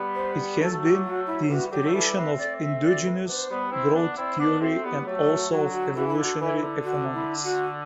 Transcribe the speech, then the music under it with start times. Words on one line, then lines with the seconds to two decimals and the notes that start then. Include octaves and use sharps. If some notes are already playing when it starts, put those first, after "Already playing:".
It has been the inspiration of endogenous growth theory and also of evolutionary economics.
Already playing: G3 B3
0.15 C5
0.59 F#3 A3 A4
0.82 G4
1.05 F#4
1.27 E4
1.49 E3 G3 F#4
1.71 D3 F#3 G4
1.85 A3
1.93 E3 G3 A4
2.16 A3 C4 B4
2.38 D5
2.61 E5
2.83 D5
3.05 B4
3.27 B3 D4 C5
3.49 G3 B3
3.72 C4 E4
3.94 B3 D4
4.16 C4 E4 D5
4.39 B3 D4 C5
4.61 A3 C4 F#4
4.83 G3 B3 E4
5.06 F#3 A3 G4
5.28 F#4
5.50 D3 F#3 F#4
5.73 F#4
5.95 E3 F#4
6.08 E4
6.16 D3
6.22 F#4
6.40 E3 E4
6.62 D3
6.84 F#4
7.14 E4
7.44 F#4